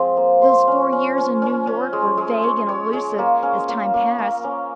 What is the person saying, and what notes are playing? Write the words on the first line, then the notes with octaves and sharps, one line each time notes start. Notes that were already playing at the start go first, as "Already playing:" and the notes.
Those four years in New York were vague and elusive, as time passed.
Already playing: F3 G#3 C4
A#3
C5
C#4
C#4
C#4
C#4
C#4
G#3
G#3
C#5
C#5
G#3
A#3
C#4
A#3
A#3
A#3
C#4